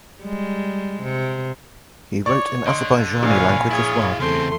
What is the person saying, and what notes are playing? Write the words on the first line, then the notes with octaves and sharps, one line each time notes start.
He wrote in Azerbaijani language as well.
G3 G#3
C3
C#5 D5 C#6
D3 D#5 C6
A#1 A#2 C#5 F5 G#5 B5
E4 G#4 C#5 F5
E2 C#3 A3 C4 C6